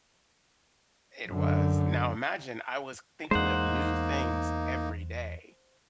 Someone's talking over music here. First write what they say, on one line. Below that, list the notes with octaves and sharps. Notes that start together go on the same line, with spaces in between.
It was. Now imagine I was thinking of new things every day
F#2 D3
E2 G#3 A#3 D#4 C5 F#5